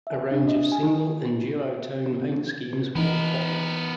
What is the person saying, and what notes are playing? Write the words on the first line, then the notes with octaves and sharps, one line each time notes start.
A range of single and duo-tone paint schemes was offered.
E5
D4
D#5
G#5
E3 B3 D#4 A#4